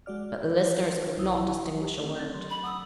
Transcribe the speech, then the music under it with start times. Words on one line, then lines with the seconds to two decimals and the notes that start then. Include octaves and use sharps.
But the listeners could not distinguish a word.
0.06 G#3 F#4 D5 F6
0.44 G6
1.17 B1 F#3 E4 D#6 E6
1.80 G4
1.99 A3 C4
2.15 G6 A6
2.30 F#3 C6
2.50 B5
2.63 F#5 A#5 D#6 E6